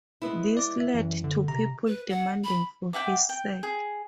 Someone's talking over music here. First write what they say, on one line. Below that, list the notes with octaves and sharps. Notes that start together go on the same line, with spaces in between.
This led to people demanding for his sack.
G#3 B3 E4
D5 D6
E5
F#2 E3
D3
C3 A#5
B4
F#5
B5
D5 E5 F#5 G5
G5
G#4